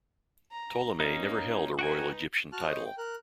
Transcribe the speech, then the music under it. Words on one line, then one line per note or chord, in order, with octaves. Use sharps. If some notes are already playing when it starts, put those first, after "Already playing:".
Ptolemy never held a royal Egyptian title.
A#5
A#3 C#4 D#4
D#4 F#4 B4 G5 G#5
F#4 A5 F6 F#6
C5 C#5 D#5
G5
A#4 F#6